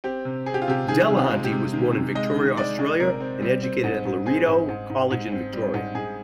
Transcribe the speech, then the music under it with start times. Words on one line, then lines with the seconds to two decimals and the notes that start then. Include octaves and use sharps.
Delahunty was born in Victoria, Australia and educated at Loreto College, in Victoria.
0.04 C4 G4
0.25 C3
0.46 C4 G#4
0.54 G4
0.62 F4
0.68 C3 G4
0.88 D#3 G#4
1.10 C3
1.17 F4
1.31 G#3
1.44 G4
1.52 C3
1.73 D#3
1.95 C3
2.15 G#3 D#5
2.36 D#3
2.57 G#3 D5
2.79 G#3
3.00 C3 A#4
3.21 C4
3.42 G3
3.63 C4
3.84 G#2
4.05 G#2
4.26 C4 G#4
4.47 G#2
4.69 G#2
4.90 G#2
5.11 G#2
5.32 C4
5.53 G3
5.74 G#2
5.95 G#2 G#4